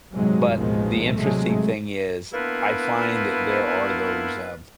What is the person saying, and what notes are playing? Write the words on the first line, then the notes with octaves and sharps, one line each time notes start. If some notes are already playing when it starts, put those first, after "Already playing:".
but the interesting thing is I find that there are those, uh,
G#2 C3 F#3 G#3
A1 D#2 B2 D#3 F3 G#3
C3 F#3 G#3 A3
A#3 B3 D4 E4 F4 B4